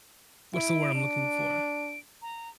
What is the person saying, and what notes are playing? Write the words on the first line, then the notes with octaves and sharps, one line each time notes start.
what's the word I'm looking for?
E4 D7
D4
A#5